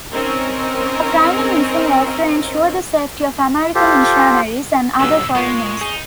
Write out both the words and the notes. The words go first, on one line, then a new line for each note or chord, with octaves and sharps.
Her primary mission was to ensure the safety of American missionaries and other foreigners.
C4 C#4 D#4 A#4
F4 G4 A4 C5
B1 G2 A#2 D3 F#3 E6
A#2 G#3 F4 C#6
D#4 G#4